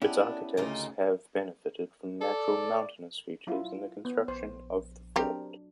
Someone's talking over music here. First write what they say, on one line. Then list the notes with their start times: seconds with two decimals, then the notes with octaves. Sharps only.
Its architects have benefited from natural mountainous features in the construction of the fort.
0.02 B3 C#4 D4 E4 G4
0.57 D2 C#3 A#3 D#4 F4
2.21 A4 D5
3.47 F#3 E4 F4
4.05 B3
4.28 A#1 C5
5.16 F#3 C4 D4 G4 A#4